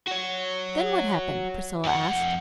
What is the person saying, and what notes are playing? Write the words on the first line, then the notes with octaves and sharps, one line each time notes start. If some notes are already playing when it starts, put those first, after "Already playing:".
"Then what happened?" Priscilla asked.
F#4 C#5
F2 F#5